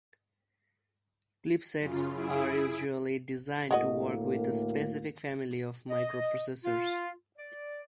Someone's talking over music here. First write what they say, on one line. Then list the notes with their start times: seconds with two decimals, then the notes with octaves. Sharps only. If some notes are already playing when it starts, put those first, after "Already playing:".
Chipsets are usually designed to work with a specific family of microprocessors.
1.79 F#2 C#3 F4
2.11 E4 G#4 D7
3.71 D2 A2 G#3 A#3 F#4 D#5
5.89 D#5
6.64 F4
7.37 D5